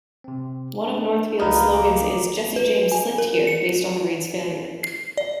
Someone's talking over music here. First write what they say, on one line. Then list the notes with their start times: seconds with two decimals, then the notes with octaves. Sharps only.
One of Northfield's slogans is "Jesse James Slipped Here", based on the raid's failure.
0.24 C3 C4
0.82 D4
1.39 C#2 A3 D#4 A#4 B4 F5 A5 A#5
1.73 A#3 D6
2.56 B4
2.92 G#5
3.18 A#4
3.47 C#7
4.83 C7
5.17 D5